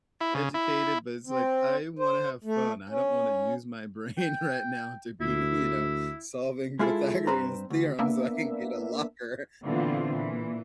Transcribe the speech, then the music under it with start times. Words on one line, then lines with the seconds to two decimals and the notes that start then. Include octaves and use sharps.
educated," but it's like, "I wanna have fun. I don't wanna use my brain right now to be, you know, solving Pythagorean's Theorem so I can get a locker
0.21 E4
0.35 C#3
0.54 E4
1.27 C4
1.99 C5
2.44 A3
2.89 C#4
4.18 G5
5.21 D2 E4
6.79 G#3 E4 F4 G#4 A4
7.27 G2 C4 B4 C5 A#5
7.70 D2
7.99 A#3 B3 D4 E5
9.63 A#2 D3 E3 B3 C4 F4
10.12 A#2 E3